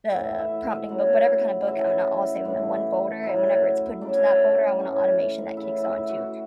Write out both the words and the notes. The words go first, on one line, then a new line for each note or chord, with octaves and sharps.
the prompting book whatever kind of book, I'm gonna all save 'em in one folder, and whenever it's put into that folder, I want a automation that kicks on to
A2 E3 E5
F#5
E4 E5
C#3 F#3 F#4 F#5
C#3 E3 E4 E5
A2 E3
A2 F#3 E4 E5
C#3 F#3 D5
E5
D4 D5
A2 E3 C#4 C#5
F#5
C#3 E3 E4 E5
E4 E5
F#4 F#5